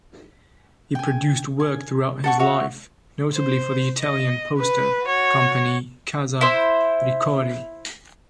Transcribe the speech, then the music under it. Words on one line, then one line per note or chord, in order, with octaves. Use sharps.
He produced work throughout his life, notably for the Italian poster company Casa Ricordi.
G5 G#5
G#5
A4 F#5 C#6
F#4 C#5 E5 F#5
C5
D#5
B4
F#4 C#5
E4 C5